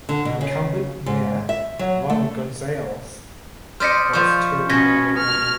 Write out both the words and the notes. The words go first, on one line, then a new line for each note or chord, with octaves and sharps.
Incumbent mayor Ron Gonzales was term limited.
D3
B2
C#3
G#2
E5
F#3
A3
C5 D5 D#5 F6 B6 C#7
F3 C5 C#6
B2 C#4 G#6 A#6 B6
F6